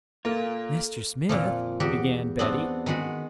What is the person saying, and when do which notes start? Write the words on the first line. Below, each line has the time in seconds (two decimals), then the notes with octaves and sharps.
"Mr. Smith," began Betty.
0.25 A#2 A#3 F4 A4
1.29 F2 A#2 F3
1.80 E2 F#4 G4
2.39 B3 C4 D4
2.86 D#3 G#3 F#4 B5